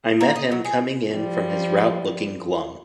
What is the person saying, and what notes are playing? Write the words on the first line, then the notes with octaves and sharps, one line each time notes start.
I met him coming in from his route looking glum.
A#3
D#5
F#3
G#4
F3 G3